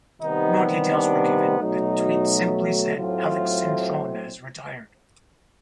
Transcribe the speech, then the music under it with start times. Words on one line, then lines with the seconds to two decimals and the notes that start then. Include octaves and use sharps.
No details were given; the tweet simply said Alex Cintron has retired.
0.21 C3 D#3 G3 B3 D#4
0.91 D4
1.59 B2 F#3 A3 D#4
2.97 A2 F#3 A3 C4 F4